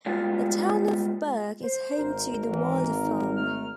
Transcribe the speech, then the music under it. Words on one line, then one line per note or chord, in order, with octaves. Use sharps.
The town of Burke is home to the Wilder Farm.
G3 G#3 A#3 B3 F4
C5
G#1 A#4
E3
D#4
A3 F6